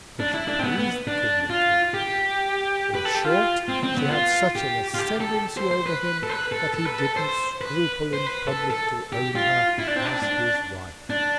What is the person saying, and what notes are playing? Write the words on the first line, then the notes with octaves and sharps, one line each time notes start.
For she pleas'd the King of Kings: In short, she had such an Ascendancy over him, that he didn't scruple in publick to own her as his Wife.
D4
E4
D4
C4
B3
B3
D4
F4
G4
B4
A4
G4
F4
C4
C4
B3
F4
G4
F4
G4
A4
C5
C5
B4
A4
B4
A4
A4
B4
A4
C5
B4
C5
B4
A4
A4
G4
F4
E4
D4
C4
D4
D4
D4